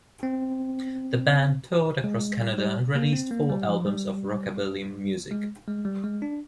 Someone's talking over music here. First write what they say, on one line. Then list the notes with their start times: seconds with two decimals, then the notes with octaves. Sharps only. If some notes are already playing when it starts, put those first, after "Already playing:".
The band toured across Canada and released four albums of rockabilly music.
0.23 C4
2.04 G#3
2.40 G3
2.58 G3
2.95 A#3
3.13 C4
3.31 A#3
3.49 G3
3.68 F3
3.86 G3
5.31 G#3
5.67 G#3
5.85 G3
6.04 G#3
6.22 D4